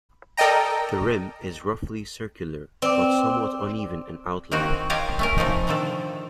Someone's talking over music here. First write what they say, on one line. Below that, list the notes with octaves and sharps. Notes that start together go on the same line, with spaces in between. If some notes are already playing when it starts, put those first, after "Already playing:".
The rim is roughly circular but somewhat uneven in outline.
A4 A#4 D5 D#5 G5 A#5
C4 D5 D6
D#3 A#3 C4 D#4 F#4
F4 G4 C#5 D#5 F5 A#5
A3 C#4 A#4
C3 F3 A3 D#4
A#2 D3 D#3 F3 A4